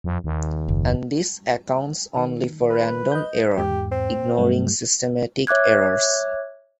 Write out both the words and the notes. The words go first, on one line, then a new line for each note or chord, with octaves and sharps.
And this accounts only for random error, ignoring systematic errors.
F2
D#2
F#1
D#3
B4
D#5 G6
E2 G#2 G4
C4
G2 F#3 A3
C#5 E5 D6 F#6 G#6